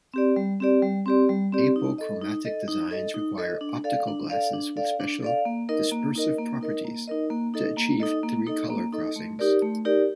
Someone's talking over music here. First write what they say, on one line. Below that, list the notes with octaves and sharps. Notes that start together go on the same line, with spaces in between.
Apochromatic designs require optical glasses with special dispersive properties to achieve three color crossings.
C4 G4 D5
G3
C4 G4 D5
G3
C4 G4 D5
G3
C4 G4 D5
D#4
A4 D#5
D#4
A4 D#5
D#4
A4 D#5
D#4
A4 D#5
D4
A4 D5 F5
D4
A4 D5 F5
D4
A4 D5 F5
D4
A4 D5 F5
A#3
D#4 A#4 D#5
A#3
D#4 A#4 D#5
A#3
D#4 A#4 D#5
A#3
D#4 A#4 D#5
A#3
D#4 A4 D#5
A#3
D#4 A4 D#5
A#3
D#4 A4 D#5
A#3
D#4 A4 D#5
A3
D#4 G4 A#4 D5
A3
D#4 G4 A#4 D5